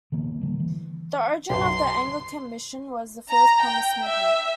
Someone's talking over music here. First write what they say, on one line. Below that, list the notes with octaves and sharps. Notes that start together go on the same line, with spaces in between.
The origin of the Anglican Mission was the First Promise Movement.
D#3 F3 A#3 B3
D3 G3 A#3
E3
B1 F#2 C6
A#5
G5
E5